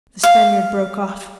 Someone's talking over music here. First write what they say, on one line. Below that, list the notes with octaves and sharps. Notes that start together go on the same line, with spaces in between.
The Spaniard broke off.
F5